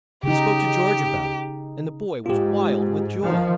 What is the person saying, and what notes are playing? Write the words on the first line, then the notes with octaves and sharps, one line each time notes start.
He spoke to George a-bout it, and the boy was wild with joy.
C#3 D#4 G4
G#2 F4 G4
D#3 F3